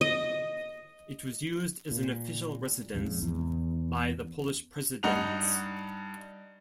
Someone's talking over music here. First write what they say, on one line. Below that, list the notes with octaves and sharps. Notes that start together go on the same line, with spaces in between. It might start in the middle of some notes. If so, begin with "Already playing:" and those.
It was used as an official residence by the Polish presidents.
D#5
A#2
A#1 F2 G#2 C#3
E2
G2 D#4 F#5 F7